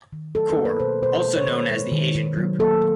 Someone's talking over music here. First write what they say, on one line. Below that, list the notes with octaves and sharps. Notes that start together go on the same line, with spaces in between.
Corps, also known as the Asian Group.
D#3
F#3 A4
A#4
A#3
B4
B2 C5
B2 C5
G#3
C#5
D#3 B4
G#3
D#3
D#3
F#3
A#3 A4